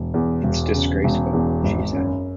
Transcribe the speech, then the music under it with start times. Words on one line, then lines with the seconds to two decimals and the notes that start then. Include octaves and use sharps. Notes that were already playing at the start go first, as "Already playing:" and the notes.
"It's disgraceful," she said.
Already playing: E1
0.14 E2
0.44 E1
0.74 C#3
1.04 E1
1.33 E2
1.63 G#1
1.93 F#2